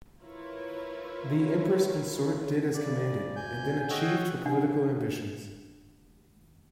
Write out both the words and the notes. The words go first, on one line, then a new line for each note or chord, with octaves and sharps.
The Empress Consort did as commanded, and then achieved her political ambitions.
E4 F4 A#4 B4 C#5
C#3 D5
D2 G#5 G6
C#5 D#5 F#5 G5 E6 G6
F#5
D4 F#5